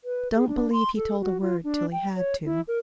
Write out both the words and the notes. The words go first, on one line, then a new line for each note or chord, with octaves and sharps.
Don't believe he told a word till he had to.
B4
G#4
D4
C6
A4
F#4
F4
D4
G5
C#5
E4
A#4